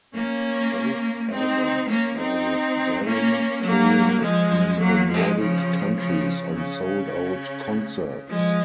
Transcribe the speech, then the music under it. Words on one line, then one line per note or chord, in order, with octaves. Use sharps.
Both albums were with Darin touring in the Nordic countries, on sold out concerts.
A#3 C#4
C4 D#4
A#3 C#4
C4 D#4
A#3 C#4
F#3 A#3
F3 G#3
F#3 A#3
F3 G#3
C#3 F3
C#3 F3
C#3
C#3
F3 G#3